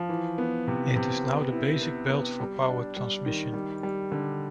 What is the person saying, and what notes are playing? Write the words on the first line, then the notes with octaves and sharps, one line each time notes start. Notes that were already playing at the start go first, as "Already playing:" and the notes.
It is now the basic belt for power transmission.
Already playing: F3
E3
B3
C3
C3
B3
E4
B3
B3
G3
D4
G3
D#3
G3
G3
D3